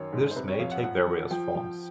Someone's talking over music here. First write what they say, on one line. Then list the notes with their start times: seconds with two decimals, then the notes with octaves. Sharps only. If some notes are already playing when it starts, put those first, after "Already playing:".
This may take various forms.
Already playing: F#2 D#3 C#5
0.13 G#2
0.31 C5
0.36 C3 B4
0.48 C#5
0.59 F2 F5
0.71 F#5
0.83 F3 F#5
1.07 F3
1.31 F3 G5
1.55 F3